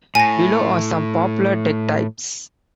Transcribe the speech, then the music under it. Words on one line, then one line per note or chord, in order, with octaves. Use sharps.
Below are some popular deck types.
A2 G#5 A#6